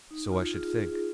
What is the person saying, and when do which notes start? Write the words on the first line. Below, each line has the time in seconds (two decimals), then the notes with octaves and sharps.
"So I should think."
0.11 D#4
0.32 F4
0.54 F4 G#4
0.75 F4 G#4